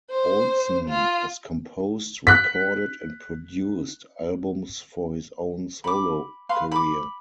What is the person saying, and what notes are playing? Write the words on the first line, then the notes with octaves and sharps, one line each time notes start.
Olsson has composed, recorded, and produced albums for his own solo career.
C5
F4
F#6 B6
B5 D6
B4 F5 C6
B5 D6